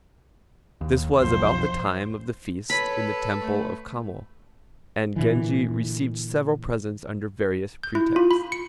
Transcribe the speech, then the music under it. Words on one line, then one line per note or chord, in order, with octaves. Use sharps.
This was about the time of the feast in the Temple of Kamo, and Genji received several presents under various pretexts.
D#2
B1 F2 C5
A4 B4 C#5 B5
A3
A#2 D3 E3
G6
E4
F4
B5
C#7